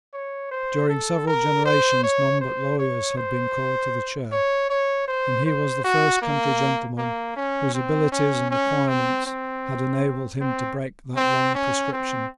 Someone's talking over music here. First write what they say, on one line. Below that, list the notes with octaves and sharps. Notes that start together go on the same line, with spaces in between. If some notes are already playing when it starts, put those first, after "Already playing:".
During several generations none but lawyers had been called to the chair; and he was the first country gentleman whose abilities and acquirements had enabled him to break that long prescription.
C#5
C5
A4
A#4
C5
C#5
C5
C#5
C5
C#5
C#5
C5
C5
F#4
A#3
A#3
C#4
C4
C#4
C#4
C4
C4
C4
C4
C#4
C4